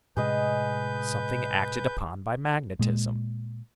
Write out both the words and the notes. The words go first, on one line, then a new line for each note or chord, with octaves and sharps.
Something acted upon by magnetism.
A2 C3 G#3 G#4 B4 D#5 G6
A#2 G#3